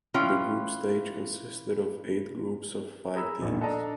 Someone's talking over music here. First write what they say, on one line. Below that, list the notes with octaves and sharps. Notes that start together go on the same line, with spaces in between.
The group stage consisted of eight groups of five teams.
E3 C#4 F4 G5
G#4 A#5 B5 E6
E1 A#1 A#2 D#3
D4 A4 D5 D#5 A5 A#5